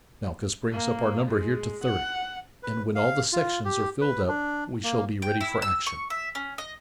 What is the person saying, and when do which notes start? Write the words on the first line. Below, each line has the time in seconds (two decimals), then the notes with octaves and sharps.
Malchus brings up our number here to thirty, and when all the sections are filled up we shall be ready for action.
0.72 A#3
1.28 G#3
1.83 F#5
2.63 B4
2.95 F5
3.33 F4
3.65 G4
4.01 B4
4.28 D4
4.84 A#3
5.22 G5
5.41 E4
5.62 E6
5.87 C#6
6.10 E5
6.35 C#4
6.58 D#5